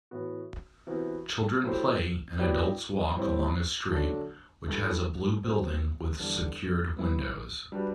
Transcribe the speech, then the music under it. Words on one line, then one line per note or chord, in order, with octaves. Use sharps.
Children play and adults walk along a street which has a blue building with secured windows.
A2 E3 B3 F#4
C3 E3 B3 F#4
F#3 A3 E4 G4 C5
F#3 B3 E4 G4 D5
A2 G3 C4 E4
D3 F#3 A3 D4
G2 E3 A3 E4 G4
G2 F#3 C4
E2 D3 G3 D4 A4
G3 B3 E4
G3 D4 F#4 B4